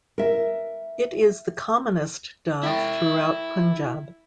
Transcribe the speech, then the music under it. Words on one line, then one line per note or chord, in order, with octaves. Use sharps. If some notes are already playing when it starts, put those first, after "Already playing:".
It is the commonest dove throughout Punjab.
A#4 E5
E4 G5